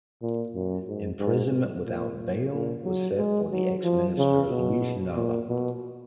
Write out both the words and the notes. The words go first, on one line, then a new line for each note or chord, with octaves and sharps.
Imprisonment without bail was set for the ex Minister Luis Nava.
A#2
F#2
G#2
G#2
A#2
A#2
A#2
F#3
G#3
F#3
F3
C#3
B2
A#2
B2